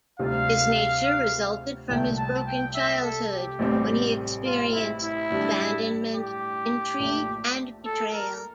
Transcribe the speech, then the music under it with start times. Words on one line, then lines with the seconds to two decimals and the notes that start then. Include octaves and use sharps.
His nature resulted from his broken childhood, when he experienced abandonment, intrigue and betrayal.
0.19 D2 C3 G3 C4 F4 F5
1.89 C2 A#2 A3 G5
2.17 A5
2.46 G5
2.74 E5
3.03 A4
3.31 G4
3.59 A1 A2 G3 C4
4.45 F4
4.73 E4
5.02 E4
5.30 A2 G3 D4
6.15 G4
7.00 A#1 A#2 A3
7.85 A4
8.13 A#4